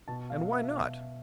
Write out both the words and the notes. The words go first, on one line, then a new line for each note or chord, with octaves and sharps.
"And why not?"
B2 A5
F5
B2
E5
B2